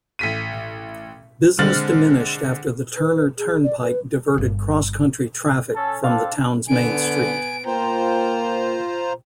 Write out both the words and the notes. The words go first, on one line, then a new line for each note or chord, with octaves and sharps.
Business diminished after the Turner Turnpike diverted cross-country traffic from the town's main street.
A1 B6 D#7
D3 G#3 C4 F6 A6 F#7
B4
G#4
D5
B4
G1 C#3
C#4 A4
C4 D4 A4 F5
D3 B3 G#5 D7
A#3 F4 C5 G5 A#5